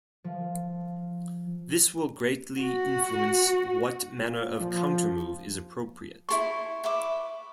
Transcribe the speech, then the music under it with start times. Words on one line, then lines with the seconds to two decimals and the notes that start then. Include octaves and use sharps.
This will greatly influence what manner of countermove is appropriate.
0.24 F3
2.60 F#4
4.18 A#2
4.60 F3
6.29 E4 A4 C6 C#6
6.84 B4 E5 D6